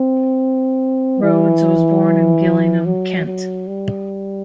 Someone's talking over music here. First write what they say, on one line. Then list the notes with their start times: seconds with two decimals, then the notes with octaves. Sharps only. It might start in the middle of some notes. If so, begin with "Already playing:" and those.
Rhodes was born in Gillingham, Kent.
Already playing: C4
1.21 E3
2.85 F#3
3.26 F#3
3.67 G3